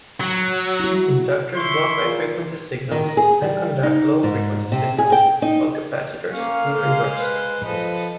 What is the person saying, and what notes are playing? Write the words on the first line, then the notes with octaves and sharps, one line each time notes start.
Inductors block high-frequency signals and conduct low-frequency signals, while capacitors do the reverse.
F#3
E4 F#4
E4 C6 C#6
A#2
D#3
G#4
G3
D#4
G#2
C3
G#4
G5
D#4
A#3 C#4 F5
G#3 C5
B4
F3 A4 B4 D#5